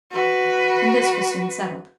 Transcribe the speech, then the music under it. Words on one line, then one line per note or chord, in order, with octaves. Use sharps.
And this was soon settled.
F#4 B4